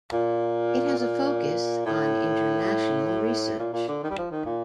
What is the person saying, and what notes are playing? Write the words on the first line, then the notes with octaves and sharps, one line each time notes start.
It has a focus on international research.
A#2
A#2
A2
A#2
A#2
D3
D#3
G3
F3
D#3
A#2